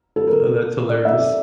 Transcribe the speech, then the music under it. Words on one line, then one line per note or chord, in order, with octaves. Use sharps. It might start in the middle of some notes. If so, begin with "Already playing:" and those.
Oh, that's hilarious.
A4
A#4
D5
E5
D5